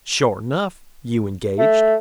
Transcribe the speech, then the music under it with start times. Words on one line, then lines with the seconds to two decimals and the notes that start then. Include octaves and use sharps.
"Sure enough, you engaged?"
1.59 A3